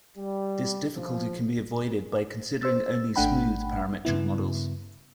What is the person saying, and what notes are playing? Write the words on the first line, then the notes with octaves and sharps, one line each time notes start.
This difficulty can be avoided by considering only "smooth" parametric models.
G3
F3
C5 E6 A6
G#1 A3 D4 F#5 G5 B5
G2 C#3 B3 E4